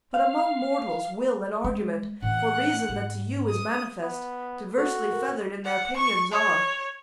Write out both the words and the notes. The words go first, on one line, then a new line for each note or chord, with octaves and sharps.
But among mortals will and argument, For reason that to you is manifest, Diversely feathered in their pinions are.
F5
G#3
A2 E3 F#5 F#6
G#2
D#6
B3
F#4 A4
A#4
F#5
C#6
C#5